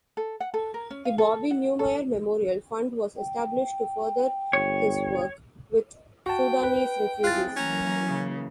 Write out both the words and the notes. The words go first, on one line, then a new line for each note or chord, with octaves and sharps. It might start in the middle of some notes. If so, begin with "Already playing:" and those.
The Bobby Newmyer Memorial Fund was established to further his work with Sudanese refugees.
A4
F#5
A4
A#4
C#4
F5
A4
F#5
A4
G5
G1 C#5
F#4 G5 A5
B4
C4 E4 F4 G#4 F#6 A6
E3 F#3 A#3 C#4 A#5
C#3